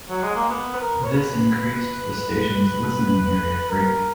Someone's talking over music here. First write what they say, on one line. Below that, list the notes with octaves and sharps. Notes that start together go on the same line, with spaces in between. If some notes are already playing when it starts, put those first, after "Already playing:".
This increased the station's listening area greatly.
F#3
G#3
A#3
B3
B4
A#4
C#5
B4
A#4